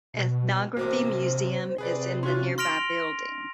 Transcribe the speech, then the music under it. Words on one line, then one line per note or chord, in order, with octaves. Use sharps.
Ethnography Museum is in the nearby building.
B2
A1 C3 A#3 F#4 C5 D6
C3 G#4 B4 D5
C#4 F4 F#4 C6
C6 F6 A#6 D7 F7